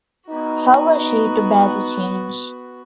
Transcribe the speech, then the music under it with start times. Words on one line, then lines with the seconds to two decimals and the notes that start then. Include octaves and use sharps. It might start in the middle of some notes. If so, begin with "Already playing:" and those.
How was she to bear the change?
0.29 B3 D#4 F#4